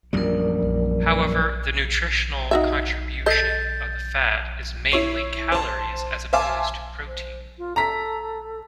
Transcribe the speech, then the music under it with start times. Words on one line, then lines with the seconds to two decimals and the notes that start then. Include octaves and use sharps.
However, the nutritional contribution of the fat is mainly calories as opposed to protein.
0.13 A#1 F#2 G3 A#4 D5
2.51 D#4 F#4 E5
3.26 A4 D#5 G6 A6
4.92 E4 C#5 C7
5.52 C5 A5
6.33 C5 E5 F5 G#5 A5 D6
7.07 C5
7.58 F4
7.76 A4 A#5 B6